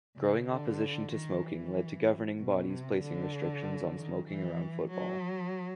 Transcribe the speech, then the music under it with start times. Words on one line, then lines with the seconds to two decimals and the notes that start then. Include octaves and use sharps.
Growing opposition to smoking led to governing bodies placing restrictions on smoking around football.
0.17 C#3
0.49 D3
1.12 D#3
1.44 E3
2.38 B2
2.70 C3
3.02 D3
3.96 D#3
4.28 E3
4.91 F#3